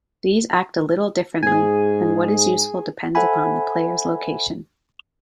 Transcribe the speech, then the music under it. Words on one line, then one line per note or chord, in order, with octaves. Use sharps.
These act a little differently, and what is useful depends upon the player's location.
G#2 G#4 G#5
A4 C5 E5 F#5 G#5 B5